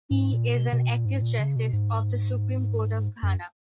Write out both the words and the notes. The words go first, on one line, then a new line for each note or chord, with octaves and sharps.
He is an active Justice of the Supreme Court of Ghana.
G#2
A#2
B2
B2
A#2
G#2
A#2
C#3
B2
G#2
F#2